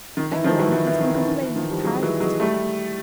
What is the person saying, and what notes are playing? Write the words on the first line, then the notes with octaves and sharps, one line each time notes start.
Every one has been complaining of tiredness to-day.'
D#3
E3
D#3 F3
E3 F#3
E3 F#3
E3
D#3
E3
D#3
E3
D#3 F3
F3 G3
F#3 G#3
E3 F#3
F#3 G#3
G3 A3